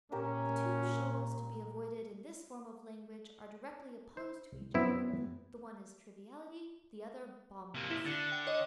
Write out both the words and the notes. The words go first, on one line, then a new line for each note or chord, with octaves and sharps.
The two shoals to be avoided in this form of language are directly opposed to each other; the one is triviality, the other bombast.
A#2 C#4 G4 A#4 E5
C5
C2
F#2 B3 C4 E4
C3 A#3
E4 E7 G7
D3 A6 C#7 E7
G5
C#5 D#5